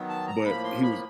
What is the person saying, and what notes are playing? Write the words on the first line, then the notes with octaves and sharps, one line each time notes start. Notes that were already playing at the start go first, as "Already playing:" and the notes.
but he was
Already playing: D#3 F#3 B3
A5
A#5
A2 F3 A#3 B5
C6
B5